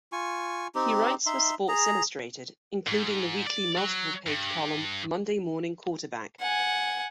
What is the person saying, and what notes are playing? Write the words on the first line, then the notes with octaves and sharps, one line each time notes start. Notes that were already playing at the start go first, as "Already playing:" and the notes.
He writes for "Sports Illustrated", including the weekly multiple-page column "Monday Morning Quarterback".
F4 G#5 C#6
C4 D#4 G4
D#4 E5 C6
G#4 A#5
G#2
D5
F#3
G2
F#5 G#5